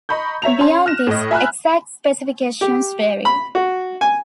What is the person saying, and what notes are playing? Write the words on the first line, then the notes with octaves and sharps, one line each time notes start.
Beyond this, exact specifications vary.
D#5 A#5 B5 C#6 G6
C#5 E5 A#5 F7
C#4 A5 C6
F6 F#6 A#6 E7
A2 D#5
E5 G#5 A#5 B5 F6 F#6
G4
B5
F#4
G#5